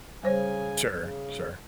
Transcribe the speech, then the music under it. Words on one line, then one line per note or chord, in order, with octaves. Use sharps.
Sure, sure.
C#3 G3 C5 C#5 G#5
C#3